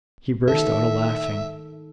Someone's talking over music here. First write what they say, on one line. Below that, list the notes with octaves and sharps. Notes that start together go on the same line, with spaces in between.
He burst out a-laughing.
D#3 A4 E5